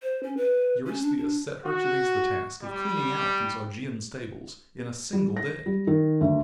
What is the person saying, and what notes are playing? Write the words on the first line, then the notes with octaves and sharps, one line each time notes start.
Eurystheus set Hercules the task of cleaning out these Augean stables in a single day!
C5
C#4
B4
C#4
D4
D4
F#4
G3
G3
A#6
G3
D#3
D2